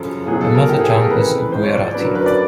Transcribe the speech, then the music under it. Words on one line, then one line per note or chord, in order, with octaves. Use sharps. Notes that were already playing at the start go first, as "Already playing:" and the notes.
Her mother tongue is Gujarati.
Already playing: F#2 C#3 F3 A4
C#2 B2 F#3 G#4
A4
A#4
G#2 F3 G4
G#4
A4
A#4
F2 C#3 E3 B4
G#2 F3 C5
C#5
D5
F#2 D3 F#3 B4
A#4
B4
D5